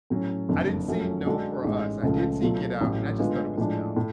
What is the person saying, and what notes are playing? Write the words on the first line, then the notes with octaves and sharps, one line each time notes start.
I didn't see Nope or Us. I did see Get Out, and I just thought it was dumb.
A2 F#3 C#4
F#1 F2 D3
F#2 F3 A3 C#4 F#4
D3 G#3 D4 F#4 A4
A1 G#2 G#3
C#2 C#3 F3 A3
B2 F#3 A3 F4
A1 A2 F#3
D3 G#3 B3 F4
A2 F3 G#3 D4
A2